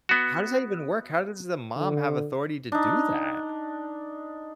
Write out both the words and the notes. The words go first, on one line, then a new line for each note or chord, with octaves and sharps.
How does that even work? How does the mom have authority to do that?
B3 F#4
D3
D4 D#4